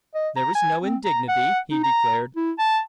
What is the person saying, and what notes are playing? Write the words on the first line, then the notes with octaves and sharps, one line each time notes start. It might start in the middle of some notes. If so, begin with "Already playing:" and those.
"There is no indignity," he declared.
D#5
A#5
G#5
C4
A#5
F#5
D#4
A#5
E4
A5